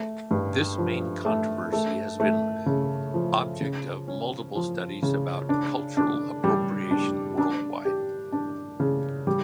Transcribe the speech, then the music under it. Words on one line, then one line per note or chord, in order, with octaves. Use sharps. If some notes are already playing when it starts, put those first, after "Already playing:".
This main controversy has been object of multiple studies about cultural appropriation worldwide.
Already playing: A3
G2
F3
A3
A3
A3
C#3
F3
C#3
C#4
F3
C#3
D4
D4
G3
D4
D4
G4
D4
C#3
G3